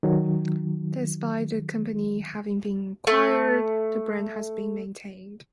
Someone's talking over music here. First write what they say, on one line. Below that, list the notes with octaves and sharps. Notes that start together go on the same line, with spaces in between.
Despite the company having been acquired, the brand has been maintained.
D#3 F#3
A3 A5